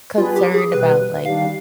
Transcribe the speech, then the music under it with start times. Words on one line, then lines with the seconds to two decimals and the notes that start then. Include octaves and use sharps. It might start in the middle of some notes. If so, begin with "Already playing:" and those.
concerned about, like,
0.18 G3 B3 D4 F4 G#4 B4
0.36 G4
0.54 G#4
0.71 B2 G3 B3 B4
1.25 D#3 G3 D4 F5